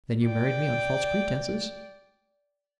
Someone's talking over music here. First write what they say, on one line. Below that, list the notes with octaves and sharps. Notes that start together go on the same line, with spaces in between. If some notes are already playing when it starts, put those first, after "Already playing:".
'Then you married me on false pretences?'
D5 G5